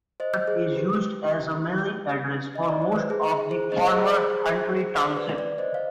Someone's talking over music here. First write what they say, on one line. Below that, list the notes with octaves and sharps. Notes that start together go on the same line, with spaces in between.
Carp is used as a mailing address for most of the former Huntley Township.
C5 D#5
G#4 C5
G4 B4
D#5
D5
C5
B4
G#4
G#4 C5
C5 D#5
G#4
G#4 C5
B4 D5
B4 D5
C5 D#5
F5